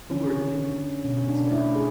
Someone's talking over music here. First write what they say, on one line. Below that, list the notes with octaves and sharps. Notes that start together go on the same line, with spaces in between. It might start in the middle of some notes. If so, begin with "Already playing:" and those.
"Who are you?" it said.
D3 C#4
D3
B2 C#4
D4
A3 E4
G#4